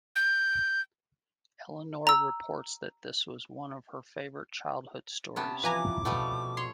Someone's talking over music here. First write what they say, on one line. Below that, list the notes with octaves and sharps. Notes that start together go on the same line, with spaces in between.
Eleanor reports that this was one of her favourite childhood stories.
G6
A#5 E6
C3 B3 C#4 A5
E3 F3 B4 G#5 A#5 D6
B2 F3 G3 A3
C#5 C6